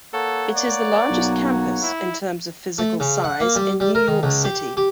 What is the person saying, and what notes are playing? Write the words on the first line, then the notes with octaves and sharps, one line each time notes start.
It is the largest campus, in terms of physical size, in New York City.
A#3 A4 C#5 F#5
D5
B1
E4
A3
C#3
F#5
A#3
G3
G3
A#4
D#3
C#2
G4
G4